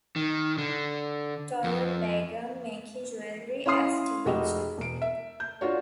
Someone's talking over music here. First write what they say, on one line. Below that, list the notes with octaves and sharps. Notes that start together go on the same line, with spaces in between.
Torun began making jewelry as a teenager.
D#3
D3
F2
C#4 E4 F5 C6 D#6 C7
F1 G#3 F#4 G4 D#5
E1 D7
E5
G6
D4 F4 F#4 C#5